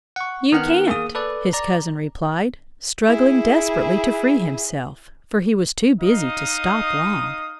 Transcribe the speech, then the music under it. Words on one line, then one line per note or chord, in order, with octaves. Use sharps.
"You can't!" his cousin replied, struggling desperately to free himself, for he was too busy to stop long.
F#5 C#6
D#3 B3 F#5 F6 F#6
A#3 G#4 D#6
A4 B4 D5
D5 A#5
E4 G#4
D#4 D#5 F5 D#6